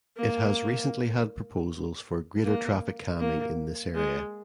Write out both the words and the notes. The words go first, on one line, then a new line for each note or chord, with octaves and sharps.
It has recently had proposals for greater traffic calming in this area.
A#3
A#3
A#3
G#3